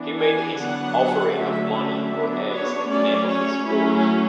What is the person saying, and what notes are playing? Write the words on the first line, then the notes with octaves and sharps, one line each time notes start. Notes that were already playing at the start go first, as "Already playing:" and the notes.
He made his offering of money or eggs in the name of his horse.
Already playing: E3 B3 D4
G#5
D3 F#3 B3 D4 F#5
D3 F#3 A3 C#4 E5
F#3 B3 D4
C#5
F#3 A3 C#4 D5
C#5
F#3 A3 C#4 E4